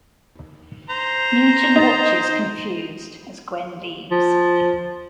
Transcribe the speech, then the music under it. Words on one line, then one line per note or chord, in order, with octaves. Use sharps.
Newton watches, confused, as Gwen leaves.
C5 A#5
D#4 A6
F3